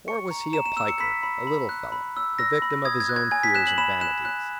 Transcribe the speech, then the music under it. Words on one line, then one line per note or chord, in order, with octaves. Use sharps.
Or was he a "piker"; a little fellow, the victim of his own fears and vanities?
C#6 C#7
A#5
A#5 E7
E7
E6 E7
C#7
B5 B6
B5
B5
F#6
B5
E6
E6 A#6
B5
D#6 G#6
G#6
F#6
G#6
G#5 G#6
B6
F#6 E7
F#7
B5 E7
F#6 E7
F#6